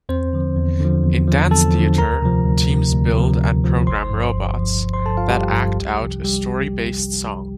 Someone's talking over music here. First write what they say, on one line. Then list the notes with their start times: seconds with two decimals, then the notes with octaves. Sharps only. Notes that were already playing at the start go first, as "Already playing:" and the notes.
In Dance Theatre, teams build and program robots that act out a story-based song.
0.09 E2 C4 C5
0.33 D3 F3
0.56 E2
0.80 D3 F3
1.04 E2
1.28 D3 F3
1.51 E2 A4 A5
1.74 D3 F3
1.98 D2 A#4 A#5
2.22 C3 F3
2.45 D2
2.69 C3 F3
2.93 D2
3.17 C3 F3
3.40 D2
3.64 C3 F3
3.87 G1 C5 C6
4.11 G2 F3
4.35 G1
4.59 G2 F3
4.82 G1
4.93 C5 C6
5.06 G2 F3 A4 A5
5.17 F4 F5
5.29 G1 G3 G4
5.53 G2 F3
5.76 C2
6.00 C3 F3
6.24 G3 G4